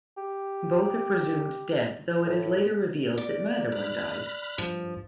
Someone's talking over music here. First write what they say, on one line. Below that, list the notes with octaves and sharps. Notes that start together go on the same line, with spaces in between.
Both are presumed dead, though it is later revealed that neither one died.
G4
A2
D5
B5 F6 F#6
G2 F3